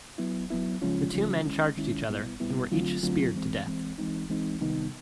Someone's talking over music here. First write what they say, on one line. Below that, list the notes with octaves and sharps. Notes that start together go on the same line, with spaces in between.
The two men charged each other, and were each speared to death.
F#3 B3 E4
F#3 B3 E4
C#3 F3 G#3 C#4 F4
C#3 F3 G#3 C#4 F4
D#3 G#3 C#4 E4
D#3 G#3 C#4 E4
A#2 G3 B3 E4
A#2 G3 B3 E4
D3 F#3 A3 C4 F4
D3 F#3 A3 C4 F4
E3 G#3 C4
E3 G#3 C4
E3 G#3 C4 D#4
E3 G#3 C4 D#4
C3 D#3 G3 B3 D#4